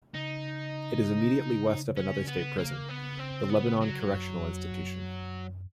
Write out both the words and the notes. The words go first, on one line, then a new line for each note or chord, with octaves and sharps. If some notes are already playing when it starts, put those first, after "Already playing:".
It is immediately west of another state prison, the Lebanon Correctional Institution.
C#3 D#4
C#4
B3
A#3
B3
C4
B3
F#3
F#2
F2
F#2